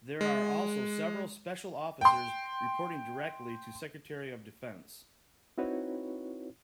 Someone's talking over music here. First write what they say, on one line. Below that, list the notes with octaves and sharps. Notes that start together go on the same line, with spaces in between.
There are also several special officers reporting directly to Secretary of Defense.
G#3
G5 C6
C4 D#4 E4 F#4 B4 C#5